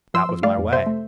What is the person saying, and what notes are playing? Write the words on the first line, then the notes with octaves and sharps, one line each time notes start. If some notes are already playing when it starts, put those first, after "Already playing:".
That was my way.
F3 C6 E6
F3
A3 D5 F5
F2
C3 C5 E5
A3